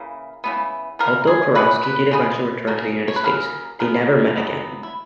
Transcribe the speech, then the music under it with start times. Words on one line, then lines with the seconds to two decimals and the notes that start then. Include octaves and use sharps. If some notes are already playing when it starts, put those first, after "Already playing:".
Although Kurowsky did eventually return to the United States, they never met again.
Already playing: C#3 E3 A#3
0.44 C#3 E3 B3
0.99 C#3 E3 B3 A#4
1.27 G#4
1.55 C#3 G#3 B3 B4
1.83 B4
2.11 C#3 G#3 B3
2.67 C#3 F#3 A#3
3.08 C#5
3.16 B4
3.24 C#3 F#3 A#3 A#4
3.80 C#3 F#3 B3 A#4
4.36 C#3 F#3 B3
4.83 E4